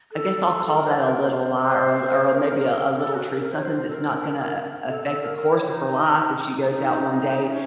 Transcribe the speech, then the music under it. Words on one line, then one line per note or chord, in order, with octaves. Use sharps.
I guess I'll call that "a little lie" or a l or a maybe a "a little truth," something that's not gonna a affect the course of her life if she goes out one day
A4
A4
A#4
C5
C5
A#4
C5
C5
C5
A#4
A4
F#4
A#4
A#4
C#5
C5
A4
A#4
A4
A4
A#4
A#4
C#5
D#4
D#4
D#4
D#4
C#4